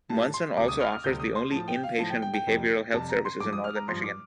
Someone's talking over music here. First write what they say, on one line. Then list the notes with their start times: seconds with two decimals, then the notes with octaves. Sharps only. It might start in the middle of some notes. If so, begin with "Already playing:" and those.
Munson also offers the only inpatient Behavioral Health services in northern Michigan.
0.10 A2 G3 A5
0.34 C6
0.57 D2 C3 G3 D6
0.68 D#6
0.80 F6
0.92 F6
1.04 D2 C3 G3 G6
1.20 D#6
1.36 C6
1.51 A2 F3 A5
1.68 G5
1.83 F5
1.98 A2 F3 A5
2.10 G5
2.22 G5
2.34 G5
2.47 F2 C3 G3
2.93 F2 C3 G3 A5
3.09 A#5
3.25 C6
3.40 G2 F3 D6
3.53 D#6
3.64 F6
3.76 A#5
3.88 G2 F3 C6
4.03 D6